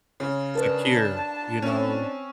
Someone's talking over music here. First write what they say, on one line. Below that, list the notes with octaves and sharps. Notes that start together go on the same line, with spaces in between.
secure, you know?
C#3
D4 A#4 B4 A5
C4 C#4